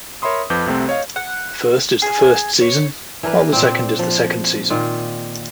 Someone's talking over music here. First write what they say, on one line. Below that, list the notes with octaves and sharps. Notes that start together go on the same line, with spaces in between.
The first is the first season, while the second is the second season.
A#4 C#5 E5 B5 C6 D#6
F2 F3 B4 D6 G6
C2 C3 A3 C4
C#5 D#5 F5
F#5
G#4
C#5
E3 D4 A#4 B4
A#2 C4
F3
A#2 D#3 F4